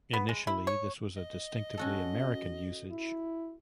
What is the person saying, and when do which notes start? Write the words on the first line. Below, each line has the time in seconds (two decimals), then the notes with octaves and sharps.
Initially this was a distinctively American usage.
0.13 B3
0.29 G#3
0.47 E4
0.67 C#5
1.16 D#5
1.78 C#4 F#4 A4
2.91 E4